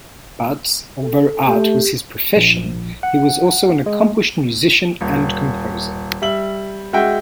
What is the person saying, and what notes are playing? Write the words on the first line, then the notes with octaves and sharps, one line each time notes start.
But, although art was his profession, he was also an accomplished musician and composer.
A4
A3 G4
A#1
F#5
G#3
D#1
G3 E5 F#7
G#3 F#4 E5 G5